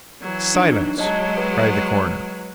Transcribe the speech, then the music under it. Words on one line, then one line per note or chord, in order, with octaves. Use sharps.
"Silence!" cried the coroner.
E3 F#3
D4 D#4
F#3 G#3 C#5 D#5 A5
B4